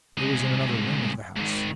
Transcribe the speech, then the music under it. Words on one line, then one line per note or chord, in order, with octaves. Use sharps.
It was in another wing of the house.
C2 G#3
G#2 D#3